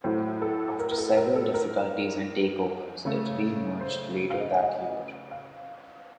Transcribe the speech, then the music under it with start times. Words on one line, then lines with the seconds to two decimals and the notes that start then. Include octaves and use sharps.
After several difficulties and takeovers, it re-emerged later that year.
0.04 A2 F#3 A3 C5
0.42 A4
0.79 A#4
0.91 A#4
0.98 A4
1.17 A#4
1.36 A4
1.54 A#4
3.05 C#3 A3
3.81 C5
4.30 F5
4.41 D#5
4.51 C#5
4.62 D#5
5.31 F5